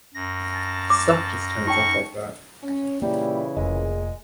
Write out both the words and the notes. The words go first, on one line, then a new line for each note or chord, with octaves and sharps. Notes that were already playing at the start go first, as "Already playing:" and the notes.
Stuff just turns up like that.
F#2 A#6
A5
D6
D#4 G5 C#6
C#4
A#2 C#3 E3 G3 A#3 E4
F1 A#2 G#3 A#3 G#4